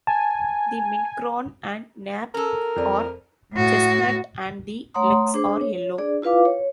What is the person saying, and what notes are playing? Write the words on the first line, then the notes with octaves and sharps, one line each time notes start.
The midcrown and nape are chestnut and the legs are yellow.
G#5 A5
C#4 A4 A#4
F2 D5
A2 F#4
A3 C#5 F#5 A#5 C6 D#6
D4 G#4 C5 D6
C#5
D4 G#4 D5
E4 F4 B4 F5 D6
C#5